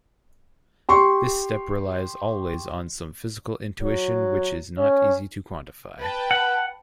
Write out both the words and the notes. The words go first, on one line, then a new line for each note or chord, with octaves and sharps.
This step relies always on some physical intuition which is not easy to quantify.
G4 C6 C#6
F#3
C#4
B4 G5 A5
F#5